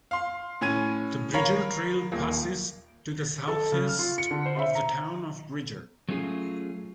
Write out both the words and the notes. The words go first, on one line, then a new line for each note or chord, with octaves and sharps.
The Bridger Trail passes to the southeast of the town of Bridger.
F5 C6
A2 C#4 G#6 D#7
A#4 C#5 F5 B5
D#1 A#3
A4
C#3
F6
F4
C#7
D3
C5
E5
A#5
F#3 A3 C#4 F4 G#4